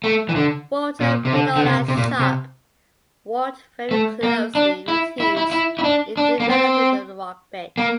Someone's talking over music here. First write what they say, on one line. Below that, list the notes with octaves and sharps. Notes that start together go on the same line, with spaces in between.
Walter Benona Sharp worked very closely with Hughes in developing the rock bit.
A3
E3
D3
A#2
C3
D3
D3
C3
C3
A#2
C3
A3
A#3
D4
E4
E4
E4
E4
E4
D4
D4
A#3
C4
A#3